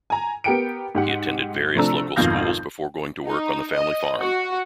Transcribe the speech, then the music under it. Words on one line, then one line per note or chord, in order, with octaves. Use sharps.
He attended various local schools before going to work on the family farm.
G#5 A#5
B3 G4 A#4 G5 C#7 D7
G#2 G4 F#5
C3 F3 A3 D4 A#5 E6
G#1 F2 B2 F5 G6 A#6
D#4
D#5
F#4